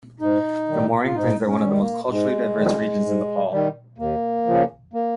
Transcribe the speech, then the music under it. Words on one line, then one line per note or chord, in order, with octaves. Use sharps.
The Morang plains are one of the most culturally diverse regions in Nepal.
G#2 D#4
D#3 G3
F4
G#2 D#4
C#4
D#3 G3
G#3
A#3
G#2 G#3
D#3 G3
G#2
D#3 G3
D#2 A#3
C#3 F3
A#3